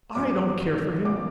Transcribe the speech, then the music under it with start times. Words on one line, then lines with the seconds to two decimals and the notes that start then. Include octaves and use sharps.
I don't care for him!
0.15 G1 G2 F3 D6
1.05 G1 F3 D6